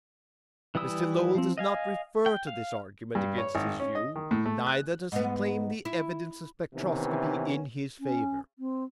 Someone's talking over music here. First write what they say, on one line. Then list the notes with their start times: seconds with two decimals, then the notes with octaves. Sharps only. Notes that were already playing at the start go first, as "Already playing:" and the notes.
Mr. Lowell does not refer to this argument against his view, neither does he claim the evidence of spectroscopy in his favour.
0.75 E3 G3 E4 D#6 E6
1.35 F3 C4
1.58 D#5 F5 G#5
2.26 G5
2.47 F5
3.15 G2
3.38 C#5
3.55 G#1
3.80 C#4
3.95 D#5
4.16 D#3
4.31 A2
4.46 A3
4.67 F#6
5.12 G#2 B3
5.85 E4
6.74 C3 D#3 E3 B3 C#4
8.00 C#4
8.59 C4